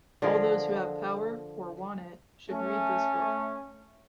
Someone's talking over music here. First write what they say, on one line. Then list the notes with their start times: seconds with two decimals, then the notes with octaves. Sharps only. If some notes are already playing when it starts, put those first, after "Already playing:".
All those who have power - or want it - should read this book.
0.22 D3 F3 G#4 A#4
2.50 A3 C#4